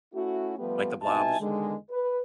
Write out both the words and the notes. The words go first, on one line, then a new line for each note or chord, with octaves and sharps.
like the blobs?
A3 C#4 E4 F#4
F3 G3 A3 B3 G4 B4
C2 B2 D#4 E5 G#5 A5
E2 D3 D#3 G#3
B4